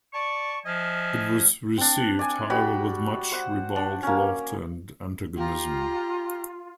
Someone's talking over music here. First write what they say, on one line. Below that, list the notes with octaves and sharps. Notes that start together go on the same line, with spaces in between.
It was received however with much ribald laughter and antagonism.
D5 A5 C#6
F3 D#5 E5 G#5 F6
C4 D4
D5 G#5
G3 F#4 B5
C5 F#5
D4
A#3 C#4
F4 G4 A#5